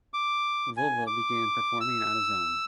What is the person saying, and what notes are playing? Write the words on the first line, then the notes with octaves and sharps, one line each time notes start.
Vova began performing on his own.
D6
G#5
D6
E6